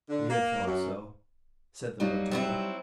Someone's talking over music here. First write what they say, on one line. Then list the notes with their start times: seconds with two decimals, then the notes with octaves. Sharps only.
"We have thought so," said the Mud Turtle.
0.09 D3
0.29 A#3
0.66 F#2
2.00 F#3 G3 A#3 D#4
2.31 F#3 C4 E4